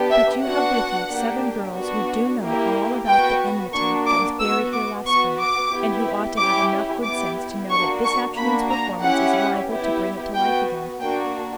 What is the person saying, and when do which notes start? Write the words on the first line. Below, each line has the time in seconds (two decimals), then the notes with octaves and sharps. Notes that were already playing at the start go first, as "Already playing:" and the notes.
But you have with you seven girls who do know all about the enmity that was buried here last spring, and who ought to have enough good sense to know that this afternoon's performance is liable to bring it to life again.
Already playing: B3 D4 G4
0.10 E5
0.43 B3 D4 F#4 F#5
1.09 A#3 D4 G4
1.75 B3 D4 F#4
2.41 A#3 E4 G4
3.07 B3 F#4 G5
3.73 A#3 D4 F#4 C#6
4.07 D6
4.39 B3 F#4 E6
4.73 D6
5.06 B3 F#4 C#6
5.39 D6
5.72 B3 E4 G4
6.37 C#4 E4 G4 D6
7.03 B3 E4 G4 D6
7.70 A#3 D4 F#4 C#6
8.03 C#6
8.36 A#3 D4 F#4 B5
8.69 A#5
9.02 C#4 E4 G4 F#5
9.68 B3 E4 G4
10.34 B3 F#4 G5
11.00 A#3 D4 F#4 G5